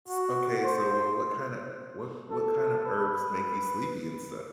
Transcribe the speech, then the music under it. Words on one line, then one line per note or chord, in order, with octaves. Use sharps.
s okay, so w what kind a what what kind of herbs make you sleepy and stuff?
F#4
C5
A4
B4